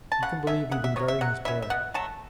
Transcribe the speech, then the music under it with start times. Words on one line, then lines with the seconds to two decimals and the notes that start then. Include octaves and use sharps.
"Make them believe we've been guarding this bear!"
0.12 A5
0.23 C#3 F#5
0.47 A3 C#4 E5
0.71 C#3 F#5
0.84 E5
0.96 B3 C#5
0.99 F#3
1.08 E5
1.21 F#3 F#5
1.45 C#4 E4 E5
1.62 E5
1.70 B2 F#5
1.94 F#3 A3 A5